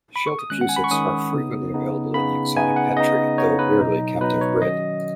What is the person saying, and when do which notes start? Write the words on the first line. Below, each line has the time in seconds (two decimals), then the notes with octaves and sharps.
Sheltopusiks are frequently available in the exotic pet trade, though rarely captive-bred.
0.16 B5
0.27 C#6
0.39 D#6
0.50 D#3 G#3 C#4 F#6
0.61 F#5
0.69 G#5
0.76 B5
0.84 C#6
0.91 D#3 G#3 C#4 D#6
1.32 C#3 B3 D#4
1.74 C#3 B3 D#4
2.14 C#3 B3 D#4 B5
2.56 C#3 B3 D#4 G#5
2.76 F#5
2.97 C#3 B3 D#4 D#5
3.38 C#3 B3 D#4 C#5
3.59 B4
3.80 B2 F#3 D#4
4.21 B2 F#3 D#4 B4
4.41 C#5
4.62 D#3 F#3 C#4 D#5